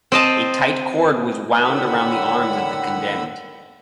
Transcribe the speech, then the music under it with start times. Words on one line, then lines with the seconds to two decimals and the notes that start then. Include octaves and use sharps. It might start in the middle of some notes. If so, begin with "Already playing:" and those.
A tight cord was wound around the arms of the condemned.
0.12 C4 D#5 A5
1.63 A2 D3 D#3 F#5 B5 E6